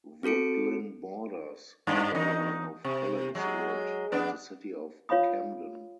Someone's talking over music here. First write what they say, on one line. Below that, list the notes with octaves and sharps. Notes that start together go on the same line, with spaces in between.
Woodlynne borders the Borough of Collingswood and the City of Camden.
C4 F#4 A4 C#7 D7
G2 D4
E2 D#4
C3
F#3 G#3
F2 B3 D4
F4 C#5 F5 B5 D#6